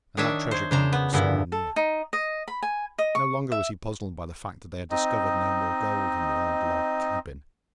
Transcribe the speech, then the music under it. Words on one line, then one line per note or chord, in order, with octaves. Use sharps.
And that treasure ground was somewhere near. No longer was he puzzled by the fact that they had discovered no more gold in the old log cabin.
D#3 D4 C#5 E5 D#6 G#6
C5 G6 G#6
C#3 D4 C5 A#5 E7
B3
G2 A#2 D3 B3 E4
A4
D#4
D#5
B5
G#5
D#5
C#6
E5
C4 D#4 D#5